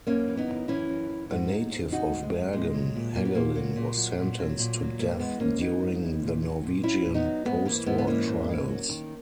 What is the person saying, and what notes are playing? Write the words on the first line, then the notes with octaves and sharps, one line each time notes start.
A native of Bergen, Hagelin was sentenced to death during the Norwegian post-war trials.
F#2 A#3 C#4
E3
B3 D#4
F#2
E3 C#4 E4
F#2
E3
G#2 D#4 F#4
F#3
G#2
F#3 D#4 F#4
G#2
G#3
F#3
A#2 G#3
F#3
A#2
F#3 A#3
B3
A#2 A#3
F#3
A#2
F#3
A#2
F#3
A#2
F#3
G#2 A#3
E3 G#3 B3
G#2 A#3 C#4
E3 B3 D#4
G#2
E3
A#2
F#3
A#2
F#3 C#4 E4
A#2
B3 D#4
F#3
G#2 G#3 B3
E3 A#3
G#2 G#3 B3
B3
E3 A#3 C#4
G#2
E3
F#3
D#3